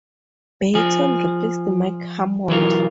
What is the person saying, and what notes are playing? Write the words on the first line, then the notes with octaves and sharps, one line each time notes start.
Beaton replaced Mike Hammond.
F3 G#4
B1 E3 F#3 E4 F4 A#4